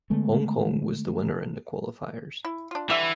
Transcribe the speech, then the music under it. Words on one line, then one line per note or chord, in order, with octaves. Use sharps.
Hong Kong was the winner in the qualifiers.
D3 G#3 A3 B3
E4
D4 F4
D3 E3 G3 E5